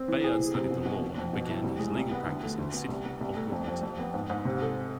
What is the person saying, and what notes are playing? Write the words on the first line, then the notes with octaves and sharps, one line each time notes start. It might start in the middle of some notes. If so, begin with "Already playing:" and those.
Bayard studied the law, and began his legal practice in the city of Wilmington.
Already playing: C4
E3
G#4
C3
C3
B2
B2
F2
F2
B2
E4
C2
G#3
C2
B3
D2
A3
D2
B3
C2
B3
C2
A3
F2
F2
F2
B3
G#2
G#2
C3
A4